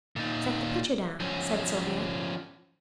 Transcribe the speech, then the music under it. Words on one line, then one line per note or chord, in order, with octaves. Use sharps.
"Set the pitcher down," said Sylvia.
A#2 D#4
F3 C#4